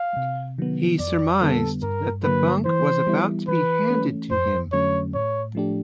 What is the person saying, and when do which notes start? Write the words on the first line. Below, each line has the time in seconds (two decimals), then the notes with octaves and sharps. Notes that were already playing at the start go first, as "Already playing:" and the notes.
He surmised that the bunk was about to be handed to him.
Already playing: F5
0.17 C3
0.58 D#3 F#3 B3
0.99 F2 D5
1.41 D3 G3 B3 A4
1.83 G2 A#4
2.24 D3 F#3 A#3 B4
2.65 E3 C5
3.07 G3 B3 E4
3.48 E3 B4
3.89 A3 C#4
4.31 F2 C5
4.73 D3 F#3 A3 C#4 C#5
5.14 A2 C#5
5.55 F3 A3 D4 G4